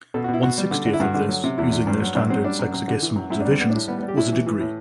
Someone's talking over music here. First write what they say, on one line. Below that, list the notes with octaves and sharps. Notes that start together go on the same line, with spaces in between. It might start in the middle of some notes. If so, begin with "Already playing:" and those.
One sixtieth of this, using their standard sexagesimal divisions, was a degree.
B2 A4
F#4
B2 E4
B2 F#4
G3
D3
D3
E4
G2 F#4
D3
F#3
C3
E2 E4
E2
G2
F#3
G2 D4
F#3 C4
G3 D4
F#2
F#2
D3
E3
F#2
F#2 E4
D4
G3 C4
G3 B3
D4
A2
G3 B3
B3
G3
G4
A2 E4
E3
E3
A2